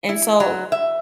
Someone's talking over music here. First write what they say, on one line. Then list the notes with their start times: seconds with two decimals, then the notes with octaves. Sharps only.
And, so,
0.09 E4
0.40 F#3
0.72 E5